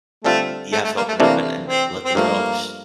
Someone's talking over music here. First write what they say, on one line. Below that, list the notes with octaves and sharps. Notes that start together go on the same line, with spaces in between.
you have to open up and and let them know sh
D3 G3 A3 C4 F4 A4
A3
A3
A#3
A3
C3 E3 A3 A#3 D4
C4
C4
G2 F3 A3 A#3